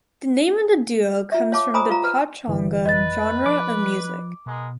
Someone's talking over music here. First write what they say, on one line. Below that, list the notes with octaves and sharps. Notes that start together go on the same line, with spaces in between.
The name of the duo comes from the pachanga genre of music.
F4 E5
C#5 F5 A5 D6
C5 G#5 A#5 B5 D#6
F4 F5 A#5
B4
G1 E3
F2 B4 D#5 A6
F3 D6
B2 G#3 B3 A#4